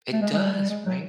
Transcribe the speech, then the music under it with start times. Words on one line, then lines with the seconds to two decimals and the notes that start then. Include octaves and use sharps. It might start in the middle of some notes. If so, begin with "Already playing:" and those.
It does, right?
0.13 A3
0.21 G#3
0.33 G#3
0.38 G3
0.53 G3
0.70 G#3
0.86 F#3